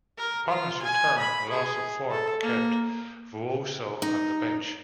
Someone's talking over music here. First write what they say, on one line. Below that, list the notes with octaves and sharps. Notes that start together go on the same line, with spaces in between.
Upon his return, a loss of form kept Vuoso on the bench.
A#4
F4
G#5
B5
G#4
A4
A#3
D#4